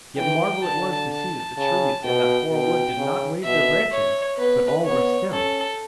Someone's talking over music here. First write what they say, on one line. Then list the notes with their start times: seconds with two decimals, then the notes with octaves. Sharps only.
Yet marvel it was to see that the trees in that hoar wood did not wave their branches, but all were still.
0.17 E3 G5
0.64 D3 A5
1.11 A5
1.57 C#3 A5
2.05 B2 G5
2.51 B2 G5
2.98 C#3
3.44 B2 E5
3.92 C#5
4.38 B3 B4
4.85 B3 C#5
5.32 C#4 A4